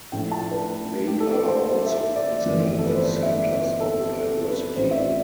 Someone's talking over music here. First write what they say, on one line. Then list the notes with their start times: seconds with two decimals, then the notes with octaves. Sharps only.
They are also considered centers of diversity.
0.12 A2 F3 A3 D4 G5
0.32 A5
0.51 B4
1.07 G4
1.20 A4
1.34 B4
1.48 C5
1.68 C5
1.86 E5
2.16 D5
2.45 G1 F2 E3 A3
2.70 G4
2.79 A4
2.86 B4
2.95 C5
3.03 D5
3.23 E5
3.61 B4
3.80 A4
3.99 G4
4.19 A4
4.48 B4
4.76 A1 A2 G3 C4 F4 C5
4.91 E5
4.97 D5